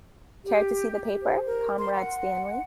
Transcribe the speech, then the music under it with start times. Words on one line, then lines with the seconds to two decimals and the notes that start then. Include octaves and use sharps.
Care to see the paper, Comrade Stanley?
0.45 G4
1.22 C5
1.46 A#4
1.79 C6
1.95 F#5